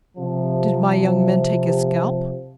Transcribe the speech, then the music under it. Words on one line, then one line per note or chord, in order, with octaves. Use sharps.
"Did my young men take his scalp?"
C3 F3